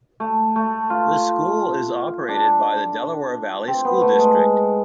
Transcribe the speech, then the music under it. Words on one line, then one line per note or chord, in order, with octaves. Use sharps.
The school is operated by the Delaware Valley School District.
A3
A3
F4
D4
C4
B3
A3
G#3
G#3